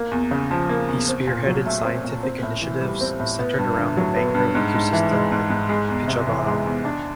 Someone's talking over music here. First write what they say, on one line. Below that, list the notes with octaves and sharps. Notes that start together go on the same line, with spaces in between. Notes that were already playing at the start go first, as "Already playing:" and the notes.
He spearheaded scientific initiatives centered around the mangrove ecosystem at Pichavaram.
Already playing: A#3
E2
C#3
F3
A#3
E2
C4
A#2
F#3
A3
C4
A#2
C4
A2
E3
G3
C4
A2
B3
G2
D3
F#3
B3
G2
G#2
G#2
E3
G#3
G#2
G#2
G#3
E2
C3
E3
G#3
E2
D4